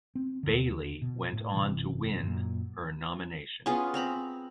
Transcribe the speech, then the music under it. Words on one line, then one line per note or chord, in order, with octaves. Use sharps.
Bailey went on to win her nomination.
C4
D#2 D3
B2
A2
G1 C3 E3
F#2 A#2
B3 C#4 F4 G#4
C4 A#5 B5